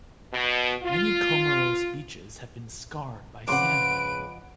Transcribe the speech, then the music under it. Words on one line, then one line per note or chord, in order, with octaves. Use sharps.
Many Comoros beaches have been scarred by sand mining.
B2
F4
F2 C#3 B4 F#5 C6 D6 D7